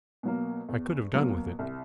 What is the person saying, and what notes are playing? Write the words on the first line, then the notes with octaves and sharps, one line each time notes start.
I could have done with it.
B2 F#3 A#3
E2
B2 F#3 A#3
C2